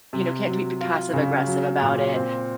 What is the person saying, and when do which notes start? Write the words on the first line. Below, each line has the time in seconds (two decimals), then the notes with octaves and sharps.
you know, can't do it be passive aggressive about it
0.13 C3
0.47 F#3
0.81 F4
1.13 C#3
1.47 F#3
1.82 A#2
2.16 C4